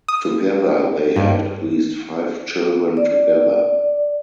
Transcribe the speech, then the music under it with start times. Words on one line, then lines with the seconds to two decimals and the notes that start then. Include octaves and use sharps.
Together they had at least five children together.
0.08 D#6
1.16 G2
2.97 D5